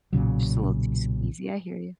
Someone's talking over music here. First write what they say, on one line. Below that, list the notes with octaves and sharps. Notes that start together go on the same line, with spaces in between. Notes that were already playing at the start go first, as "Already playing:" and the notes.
Just a little too skeezy, I hear you.
B1 A#2 C#3 F#3